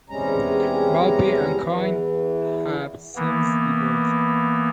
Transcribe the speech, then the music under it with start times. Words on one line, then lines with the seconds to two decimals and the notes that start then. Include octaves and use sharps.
Valpy and Coyne have since divorced.
0.10 E2 C3 G3 G#3 C#4 A#5
1.66 E2 E3
3.16 E3 A#3 B3